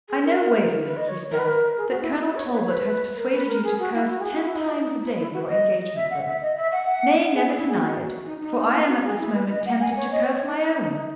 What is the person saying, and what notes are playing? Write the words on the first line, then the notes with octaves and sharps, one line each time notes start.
'I know, Waverley,' he said, 'that Colonel Talbot has persuaded you to curse ten times a day your engagement with us; nay, never deny it, for I am at this moment tempted to curse my own.
G#4
A#4
A#4
B4
D#5
C#5
A#4
B4
A#4
G#4
F#4
E4
D#4
E4
C#5
B4
C#5
B4
A#4
B4
A#4
G#4
F#4
E4
F#4
G#4
F#4
E4
D#4
E4
E4
F#4
D#5
E5
F#5
E5
D#5
E5
F#5
G#4
E4
E4
G#4
F#4
D#4
D#4
E4
F#4
G#4
E4
B4
D#5
F#5
G#5
C#5
D#5
C#5
C#5
D#4